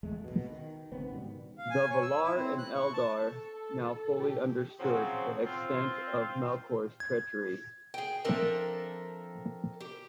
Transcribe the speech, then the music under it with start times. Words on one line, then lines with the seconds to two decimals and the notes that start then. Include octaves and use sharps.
The Valar and Eldar now fully understood the extent of Melkor's treachery.
0.03 B1 E2 G#3 A3
0.24 B2
0.51 D#3
0.92 G#1 C#3 B3 C4
1.12 G#2 B2 D#3 G3
1.58 F5
1.70 G#5
1.90 C#5
2.02 E6
2.23 E4
2.36 C4
2.58 F#6
2.74 C#6
2.93 A5
3.28 A4
4.20 G4
4.79 C#3 F3 F#3 C4
5.45 C4 F4
7.00 G#6
7.94 G#4 G5
8.24 F3 C4 D4 A4 A#4 E5
9.80 G4